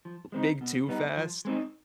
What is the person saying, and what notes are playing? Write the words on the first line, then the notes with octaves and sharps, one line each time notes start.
big too fast.
F3
G#3 C4 D#4
B2
G3 B3 D#4
F3
G#3 C4 D#4